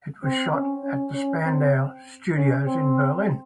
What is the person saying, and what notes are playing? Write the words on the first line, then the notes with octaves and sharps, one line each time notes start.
It was shot at the Spandau Studios in Berlin.
C4
C#4
C#4
C#4
C4
C#4
C4